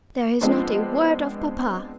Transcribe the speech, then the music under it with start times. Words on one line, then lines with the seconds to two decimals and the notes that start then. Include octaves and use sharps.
"There is not a word of papa!"
0.41 F3 G#3 B3 C4 D4